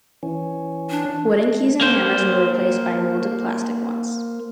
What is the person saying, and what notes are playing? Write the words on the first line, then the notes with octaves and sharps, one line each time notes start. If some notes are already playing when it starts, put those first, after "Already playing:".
Wooden keys and hammers were replaced by moulded plastic ones.
E3 C#4
D4
A#3 C5